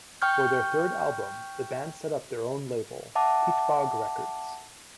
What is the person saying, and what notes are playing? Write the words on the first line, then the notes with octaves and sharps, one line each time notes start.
For their third album the band set up their own label, Peatbog Records.
G5 C#6 F6 G6
E5 F#5 A5 D6